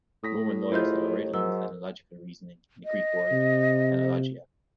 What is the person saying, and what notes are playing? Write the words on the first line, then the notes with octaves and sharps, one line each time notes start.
Roman lawyers had already used analogical reasoning and the Greek word "analogia".
A2 D#6 A#6 B6
D#2 E4 F4 G#4 C5 D#5 G6
G#2 F#3 A#4 E6
D#5
C3